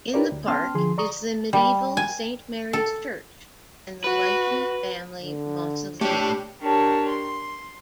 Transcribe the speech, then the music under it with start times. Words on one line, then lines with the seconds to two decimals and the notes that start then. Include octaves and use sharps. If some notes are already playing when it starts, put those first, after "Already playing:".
In the park is the medieval Saint Mary's Church and the Lytton family mausoleum.
0.14 E4 G4 A#4 B4 C#5 D5
0.32 D2
0.48 B3 C#4 G5 A5 C6 F6
0.74 D3 F3 G#4 C6
0.98 D5 A#5 C#6 D#6
1.53 G3
1.97 G#5
2.73 A4
4.04 F#4 B4
5.22 D3
6.01 A3 D4 G4 C#5
6.62 D4 G4 A#4 C#5 A5
7.08 C6